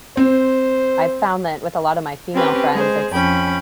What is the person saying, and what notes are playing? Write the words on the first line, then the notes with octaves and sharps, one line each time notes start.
I've found that with a lot of my female friends, it's
C4 C5
C4 C#4 G4 B4
G#3 G#4 C5
F2 C#4 G5 B5